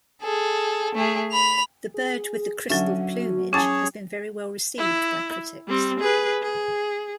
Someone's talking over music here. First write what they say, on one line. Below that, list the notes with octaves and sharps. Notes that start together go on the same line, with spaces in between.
"The Bird with the Crystal Plumage" has been very well received by critics.
G#4 A4
A3 G#4
B5 F7
G#4
D3 F#3 C#4 F#4 E5
C#4 G#4 C#5 G#5 A5 D6 A6
E4
G3 C4
G#4 B4
G#4